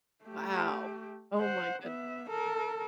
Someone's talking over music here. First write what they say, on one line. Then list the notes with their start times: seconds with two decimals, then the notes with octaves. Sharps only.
Wow. Oh my good
0.25 A3 G4
1.40 C5 F#5
1.83 B3 E5
2.29 A4 A#4